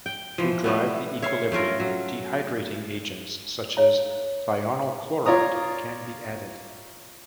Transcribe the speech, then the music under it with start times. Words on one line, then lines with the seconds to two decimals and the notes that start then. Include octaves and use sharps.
To drive the equilibrium, dehydrating agents such as thionyl chloride can be added.
0.06 G5
0.38 E3 F3
0.64 G3 A3 B3
1.22 C#5 E5 F5
1.52 A3 C#4 F4 A#4
1.80 F#3
3.77 C#5 E5 F5 A#5
5.26 F4 C#5 D5 A#5 D#6